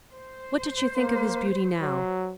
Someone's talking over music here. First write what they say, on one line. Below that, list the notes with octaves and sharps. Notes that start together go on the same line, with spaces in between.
What did she think of his beauty now?
C5
A#3
F#3